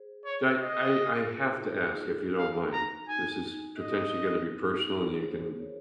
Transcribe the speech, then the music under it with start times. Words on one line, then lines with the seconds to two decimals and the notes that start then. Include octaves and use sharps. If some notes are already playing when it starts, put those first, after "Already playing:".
I I I have to ask, if you don't mind, this is potentially gonna be personal, and you can
Already playing: G#4 C5
0.25 C#5
0.61 D#5
1.19 F4 G#4
1.36 G#4
1.43 D#4 F#4
1.56 F4
1.67 D#4 F#4
2.38 F5
2.73 A#5
3.08 D#4 G#5
3.79 D#5
4.50 D#4
4.74 D#4 F#4
4.98 F4 G#4
5.21 G#4 C5
5.57 A#4 C#5